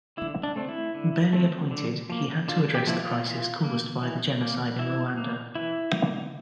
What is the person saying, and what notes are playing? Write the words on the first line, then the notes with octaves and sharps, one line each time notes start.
Barely appointed, he had to address the crisis caused by the genocide in Rwanda.
D3 E4
D4
A3 C4
E4
D3
A3 C4
D3
F3 A#3
D3 F4
G4
F3 A#3 E4
F4
E3
A#3
E3
A#3
E3 E4
A#3
E3 E4
A#3